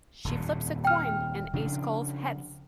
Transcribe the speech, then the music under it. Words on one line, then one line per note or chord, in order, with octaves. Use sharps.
She flips a coin, and Ace calls "heads".
D#1 F2 A#2
G5 F6
C#3 F3 D4